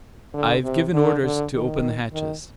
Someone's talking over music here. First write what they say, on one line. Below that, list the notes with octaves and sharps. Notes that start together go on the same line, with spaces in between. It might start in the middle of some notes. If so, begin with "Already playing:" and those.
"I've given orders to open the hatches."
D3
C3
D3
D3
D#3
D#3